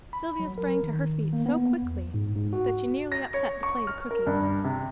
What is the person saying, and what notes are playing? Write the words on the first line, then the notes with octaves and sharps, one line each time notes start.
Sylvia sprang to her feet so quickly that she nearly upset the plate of cookies.
B5
F#3
A#4
D#3
A#3
B3
E2
G#2
G#2
F#4
A#6
C#5
C#6
F6
A#4
G2
C3